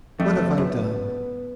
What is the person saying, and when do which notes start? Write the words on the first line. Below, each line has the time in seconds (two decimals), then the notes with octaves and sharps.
What have I done?
0.19 F2 A3
0.58 F#2 B3